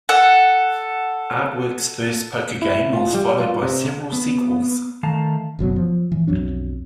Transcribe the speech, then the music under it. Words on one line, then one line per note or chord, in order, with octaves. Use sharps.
Artworx's first poker game was followed by several sequels.
A4 F#5
E4
F4
G3
F4
C3
B3
D#3 A3 F5 A5 A#5
F#1 B2 F#3 B3
F3
A2 E3
B1 F2 F#3 D4